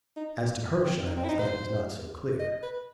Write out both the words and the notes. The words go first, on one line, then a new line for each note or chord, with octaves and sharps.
As to her shyness, that was not so clear.
D#4
C4
D#4
C4
E4
D#4
C5
D#5
B4